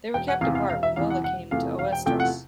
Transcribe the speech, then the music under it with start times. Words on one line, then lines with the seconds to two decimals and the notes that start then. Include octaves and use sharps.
They were kept apart when Lola came into oestrus.
0.14 E1 G5
0.28 F#5
0.41 E2 C3 E3 F5
0.55 F5
0.69 E1 F5
0.83 E5
0.96 E2 C3 E3 F5
1.10 F#5
1.23 E1 F#5
1.51 E2 C3 F3 A3 F5
1.78 E1 F5
1.92 G5
2.06 E2 C3 F3 A3 G5
2.20 F#5